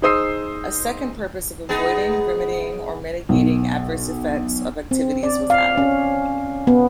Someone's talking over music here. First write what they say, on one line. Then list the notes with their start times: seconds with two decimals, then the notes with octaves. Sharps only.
A second purpose of avoiding, remedying or mitigating adverse effects of activities was added.
0.02 D#4 G#4 C5 D#6 E6 C7
1.69 B3 D#4 G#4
3.29 B1
4.91 C4
5.23 D5
5.50 F5
5.78 C#4
6.67 B3